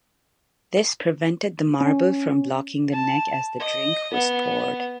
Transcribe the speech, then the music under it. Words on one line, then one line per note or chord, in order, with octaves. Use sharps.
This prevented the marble from blocking the neck as the drink was poured.
C#4
A5
D#5
B3